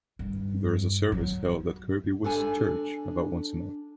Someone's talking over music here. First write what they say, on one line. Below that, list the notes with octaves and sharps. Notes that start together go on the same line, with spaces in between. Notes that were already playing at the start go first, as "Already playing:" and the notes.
There is a service held at Kirby Wiske church about once a month.
G2
F#3
D4 A4 G#5